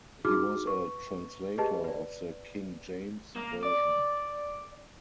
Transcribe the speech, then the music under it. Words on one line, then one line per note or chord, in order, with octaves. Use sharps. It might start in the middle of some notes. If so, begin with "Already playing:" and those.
He was a translator of the King James Version.
D#4 E4 F#4 G#4 D6 F6
B4 C#6
G4 G#4 B4 D#5 A5
B4 D5
A#3
D5